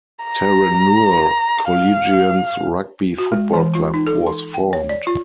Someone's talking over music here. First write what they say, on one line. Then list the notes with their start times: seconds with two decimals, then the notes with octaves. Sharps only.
Terenure Collegians Rugby Football Club was formed.
0.25 A#5
1.69 F5
3.18 F#4
3.32 G#3
3.53 E3
3.75 F4
3.94 D#4
4.07 A4
4.27 C6
4.54 G5
4.73 C#5
4.89 D5
5.07 F4